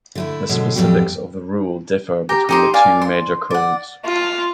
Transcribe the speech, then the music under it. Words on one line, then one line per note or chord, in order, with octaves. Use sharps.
The specifics of the rule differ between the two major codes.
D3 A3 E4
F#2 B2 D3 G#3 C#4
F2 A2 F#3 G3 G4
G4 G5 A#5
D#4 G4 C6
D5 F5 G#5
C6
D5 F#5
F4